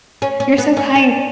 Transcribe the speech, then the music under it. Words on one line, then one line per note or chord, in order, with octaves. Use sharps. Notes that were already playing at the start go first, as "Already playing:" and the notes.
You're so kind.
C#4
C#4
B3
C#4
D4